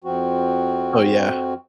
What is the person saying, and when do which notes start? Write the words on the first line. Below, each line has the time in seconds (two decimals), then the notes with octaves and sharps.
Oh, yeah.
0.04 F2 F3 C4 F#4